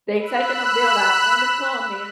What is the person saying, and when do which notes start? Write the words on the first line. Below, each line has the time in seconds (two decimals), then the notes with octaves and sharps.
They taking a belt out on the comment,
0.17 B5 E6 F#6